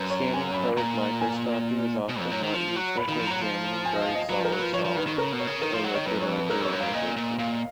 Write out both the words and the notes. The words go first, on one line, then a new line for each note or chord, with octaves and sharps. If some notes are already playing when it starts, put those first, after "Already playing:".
Scanning probe microscopy is often not useful for examining buried solid-solid or liquid-liquid interfaces.
Already playing: F#2 B4
C#5
G#5
B5
A#2 A#5
G#5
B2
F2
F#2
D#3
F3
F#3
B5
D#3 B5
F3
F#3 A#5
F3
G#5
D#5
F5
D#5
F#3 B4
F3 A#4
F#3
F3 B4
F3 C#5
F3
D#3 B4
D#3
C#3 A#4
B2
C#5
C#3
D#3 A#4
F3
F#3
D#3 C#5
F#2 B4
C#5
F2
B4
F#2 A#4
F2 C#5
F#2
G#2 F5
A#2 D#5
A#2
A#2 F5